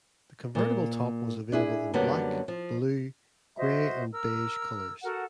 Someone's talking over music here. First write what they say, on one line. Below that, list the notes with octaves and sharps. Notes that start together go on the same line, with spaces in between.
The convertible top was available in black, blue, grey and beige colors.
A#2 A#3
D4 E4 G#4
F#2 D3 F#3 G3 A#3 B3
F3
F#4 C5 D#5 E5
A#4 E6
F#4 A4 A#4 F#5